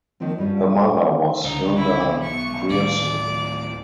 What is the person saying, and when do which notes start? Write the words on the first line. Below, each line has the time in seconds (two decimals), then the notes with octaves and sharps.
Her mother was Hilda Grierson.
0.20 D#3 F3 A#3 C4
0.38 G2 G3 C#4 F4
1.44 C#2 D3 D#4
1.77 E4
2.22 B1 C#6
2.69 D1 A2 D#3 D5